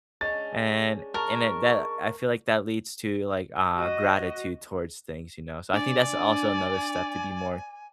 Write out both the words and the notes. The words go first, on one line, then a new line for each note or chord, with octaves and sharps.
And and at that I feel like that leads to, like, uh, gratitude towards things, you know. So, I think that's also another step to be more,
G#3 C#4 D4 A6
A#4 A5 C#6
F#4 D#5
D4 D5 G#5